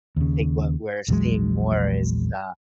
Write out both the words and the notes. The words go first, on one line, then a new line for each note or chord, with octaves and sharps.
I think what we're seeing more is, uh
D#2 C#3
A#1 E2 F#3 G#3